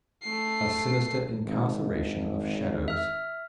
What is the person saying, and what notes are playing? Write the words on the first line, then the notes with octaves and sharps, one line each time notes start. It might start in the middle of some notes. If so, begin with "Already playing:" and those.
A sinister incarceration of shadows.
A3 C7
G#1
E5 F6